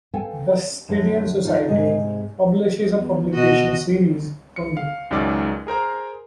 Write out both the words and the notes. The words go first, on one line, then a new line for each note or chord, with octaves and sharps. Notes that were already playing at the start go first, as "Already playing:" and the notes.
The Skyttean Society publishes a publication series, Kungl.
A4 F5 G5 G#5
F#2 D3
D#4 F4 A4 D5
G#2 C3 G#3 G#4 D#5
E2
B2 F#4 D#5
C#7
F5
C#2 F#2 D#3 G#3 D5 D6
G#4 A#4 C5 A#5